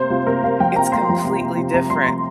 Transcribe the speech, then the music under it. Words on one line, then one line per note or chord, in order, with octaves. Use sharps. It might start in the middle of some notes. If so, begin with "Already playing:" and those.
it's completely different
Already playing: C3 A#3 C5
C3 F4
C3 A#4
C3 F5
F3 G5
C3 A#5
A#3 C6
F3
C3
C3
C3
C3 A#5
C3 C6
C3 C6